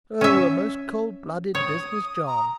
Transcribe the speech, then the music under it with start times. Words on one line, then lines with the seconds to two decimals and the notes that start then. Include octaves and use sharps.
Oh, a most cold-blooded business, John!
0.21 C#4 E5
1.55 C#5 D#6
2.26 A#5